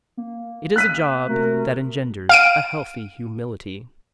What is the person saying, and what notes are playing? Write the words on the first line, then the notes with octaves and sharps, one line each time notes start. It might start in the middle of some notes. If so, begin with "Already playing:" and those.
It is a job that engenders a healthy humility.
A#3
F#6 B6 D#7
C3 A3 F#4 A#4
F5 D7 D#7